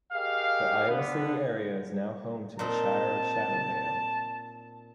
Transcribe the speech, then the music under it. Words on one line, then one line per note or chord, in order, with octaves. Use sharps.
The Iowa City area is now home to the Shire of Shadowdale.
G4 G#4 A#4 D#5 F5
D3 B3
A#2 C4 D#4 A5